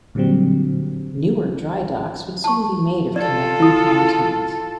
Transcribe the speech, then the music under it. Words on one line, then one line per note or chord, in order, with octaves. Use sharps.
Newer dry docks would soon be made of connecting pontoons.
A#2 D3 F#3 G3 C4
A5 C#6
F4 A4 D5
E4 D#6